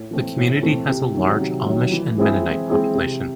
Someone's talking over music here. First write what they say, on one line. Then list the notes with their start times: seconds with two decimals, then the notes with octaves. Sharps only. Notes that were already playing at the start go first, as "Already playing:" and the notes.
The community has a large Amish and Mennonite population.
Already playing: A2
0.11 E3 A3 C4
0.37 A2
0.63 E3 A3 C4
0.89 C3
1.15 D#3 F#3
1.40 C3
1.67 D#3 F#3
1.92 E3
2.18 G#3 C4 E4 G#4
2.43 E3
2.69 G#3 C4 E4 G#4
2.95 C3